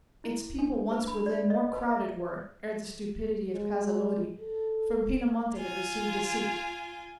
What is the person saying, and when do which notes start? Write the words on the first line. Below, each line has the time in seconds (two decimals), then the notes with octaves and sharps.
Its people once within more crowded were, Ere the stupidity of Casalodi From Pinamonte had received deceit.
0.24 E4
0.59 D4
0.91 B4
1.08 B5
1.26 D5
1.50 D#5
1.73 B4
1.91 E5
3.54 G#3
4.41 A4
5.56 F4 G#5